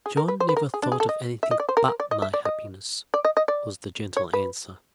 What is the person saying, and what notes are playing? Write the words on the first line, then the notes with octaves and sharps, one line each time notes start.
"John never thought of anything but my happiness," was the gentle answer.
G#4
A#4
B4
C5
B4
A#4
G#4
D4
G#4
A4
D#5
E5
D#5
D5
C5
A#4
A#4
D5
D#5
E5
D5
D#5
D5
D#5
D#5
D5
C#5
B4